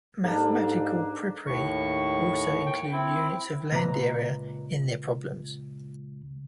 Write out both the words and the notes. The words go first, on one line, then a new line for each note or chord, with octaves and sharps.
Mathematical papyri also include units of land area in their problems.
G#2 A#3 D4 D#4 G4 A4
D#2 A2 C#6
G5
C4 E4
C#2 A#2 B4 A#5